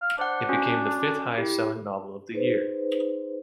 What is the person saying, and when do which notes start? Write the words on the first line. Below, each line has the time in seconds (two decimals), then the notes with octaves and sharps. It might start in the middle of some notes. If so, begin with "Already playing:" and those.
It became the fifth-highest selling novel of the year.
0.02 F5
0.19 D4 C5 F#5
0.49 C#4 F#4
1.38 E4 G4
2.32 D#4 G#4 B4 C5